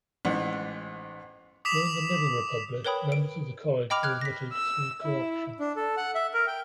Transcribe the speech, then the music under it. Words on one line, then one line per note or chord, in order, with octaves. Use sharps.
During the Middle Republic, members of the college were admitted through co-option.
A1 G#2 F#5
D6 D#6 B6 E7 F7
A#4 B4 C#5 G5 B5 D#6
D7
D#5 G5 B5 D6 F6 F7
F6 F#6 G#6
A#6 B6
E6
E4
D4
A4
F#5
E5
A#4
G5